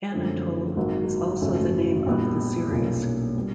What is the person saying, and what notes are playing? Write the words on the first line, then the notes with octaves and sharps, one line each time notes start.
"Anatole" is also the name of the series.
F#2 D3 F3 A3 C4
G#1 G#2 D#3 F#3 A#3
G#1 F#2 C#3 F#3 A3
A#1 A#2 G3 B3
B1 A#2 G3 A#3 C#4
A#2 G3 B3